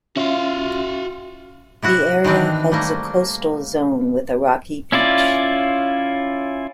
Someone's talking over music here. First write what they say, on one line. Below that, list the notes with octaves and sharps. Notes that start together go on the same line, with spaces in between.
The area hugs a coastal zone with a rocky beach.
C#4 F4 F#4 E5 F5
C3 E4 F#4 F#5
D#3 E3 B3 C4 D4
G3 A3 A#3
C#4 E4 F4 D5